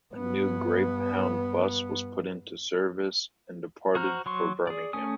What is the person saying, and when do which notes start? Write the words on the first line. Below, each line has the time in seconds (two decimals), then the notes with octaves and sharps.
A new Greyhound bus was put into service and departed for Birmingham.
0.14 G2 B3
3.95 F#4 C5 A#5 F6
4.26 F#3 C6 C#6
4.67 G#4 D5
4.93 A3 C#4 G#5 D#6